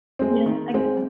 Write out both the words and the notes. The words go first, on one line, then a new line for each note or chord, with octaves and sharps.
Yeah, I get that.
G#3 C4
D#3
G#3 C4